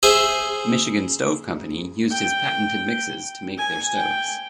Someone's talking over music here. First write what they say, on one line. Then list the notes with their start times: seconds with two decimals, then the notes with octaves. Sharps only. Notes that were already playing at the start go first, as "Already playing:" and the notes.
Michigan Stove Company used his patented mixes to make their stoves.
0.03 G#4 C5 E5
2.11 G5
3.58 G#5
3.98 G5